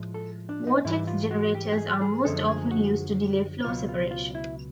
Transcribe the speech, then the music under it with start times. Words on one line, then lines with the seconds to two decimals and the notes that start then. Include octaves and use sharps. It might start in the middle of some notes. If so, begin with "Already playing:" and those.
Vortex generators are most often used to delay flow separation.
Already playing: A2 F3 G#3
0.14 A4
0.49 D4
0.67 D#4
0.85 G#2 E3 G3 E4
1.07 F4
1.31 F#4
1.55 G4
1.72 G4
1.78 G#4
2.02 G#4
2.25 F#2 D3 F3 G#3 A4
2.48 G#4
2.71 F#4
3.64 C#2 B2 F#3 F4
3.89 F4
4.11 F4
4.35 E4